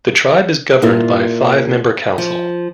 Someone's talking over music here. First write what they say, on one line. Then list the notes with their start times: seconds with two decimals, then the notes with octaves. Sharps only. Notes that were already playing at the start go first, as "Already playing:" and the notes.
The tribe is governed by a five-member council.
0.82 A#2 A#3 E4 F4
2.18 F3